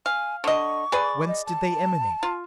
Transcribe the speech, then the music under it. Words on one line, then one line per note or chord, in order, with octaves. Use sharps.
Whence did they emanate?
F5 G#5
D3 D#5 C#6
G#4 B4 D5
D#5
A5
F4